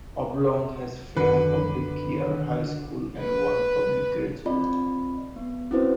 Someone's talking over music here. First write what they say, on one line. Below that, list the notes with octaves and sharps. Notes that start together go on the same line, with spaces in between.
Oblong has one public four year high school and one public grade school.
F#2 D3 D#3 B4
B4
C4 F4 D5 D#5 B5
B3
C4 C#4 E4 F#4 B4 C5